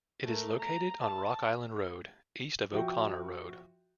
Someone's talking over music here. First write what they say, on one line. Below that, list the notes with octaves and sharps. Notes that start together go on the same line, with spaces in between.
It is located on Rock Island Road, east of O'Connor Road.
A3 A#4
A#5
A5
F3 F#4 E5 G5